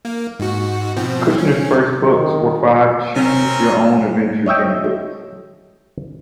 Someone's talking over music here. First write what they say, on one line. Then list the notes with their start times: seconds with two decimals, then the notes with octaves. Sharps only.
Kushner's first books were five Choose Your Own Adventure gamebooks.
0.05 A#3
0.39 G#2 F#4
0.97 B2 F3 C4
1.38 C#4
2.02 D#3
3.15 C4 C#4 A#4
4.46 C#5 D#5 E5 G5